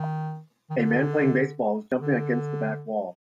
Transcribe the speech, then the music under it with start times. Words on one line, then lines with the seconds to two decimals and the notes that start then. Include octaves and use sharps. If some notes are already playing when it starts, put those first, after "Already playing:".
A man playing baseball is jumping against the back wall.
Already playing: D#3
0.70 D#3
0.77 D3
2.00 D3